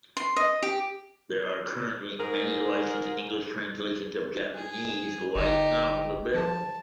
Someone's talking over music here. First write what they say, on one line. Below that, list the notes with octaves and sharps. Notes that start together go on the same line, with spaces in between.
There are currently many licensed English translations of Japanese light novels available.
C6
D#5
G4
G#2 G#4 A#4
G#4
G1 D#4 G4
F3 A5